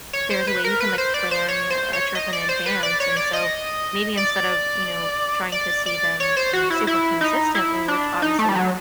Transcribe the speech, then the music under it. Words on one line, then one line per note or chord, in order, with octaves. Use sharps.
there's a way you can, like, plan a trip in advance, and so maybe instead of, you know, trying to see them, you know, super consistently, which obviously
C#5
C5
B4
A#4
B4
C5
D5
C5
C#5
C5
C#5
D#5
D5
C5
B4
D5
C#5
D5
D#5
D5
D5
D5
C#5
C5
F#4
E4
E4
D#4
E4
D4
D#4
A3
G3
F#3